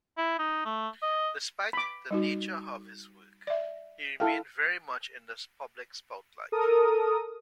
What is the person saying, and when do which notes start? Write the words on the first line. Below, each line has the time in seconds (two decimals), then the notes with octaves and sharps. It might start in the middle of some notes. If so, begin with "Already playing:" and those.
Despite the nature of his work, he remained very much in the public spotlight.
0.18 E4
0.39 D#4
0.65 A3
1.02 D#5
1.73 B5 D6
2.11 G3 D#4 F#4
3.47 D5 E5
4.20 E4 A4 F5 G5
6.52 A4 A#4 D#6